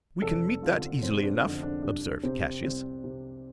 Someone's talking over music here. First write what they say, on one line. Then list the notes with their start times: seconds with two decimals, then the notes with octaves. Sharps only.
"We can meet that easily enough," observed Cassius.
0.22 F1 A4
0.62 F2 D3 F4
1.02 F1 C4
1.23 D4
1.43 F2 D3 D4
1.63 D4
1.83 C2 D4
2.23 C3 C4
2.63 C2 C4
3.04 C3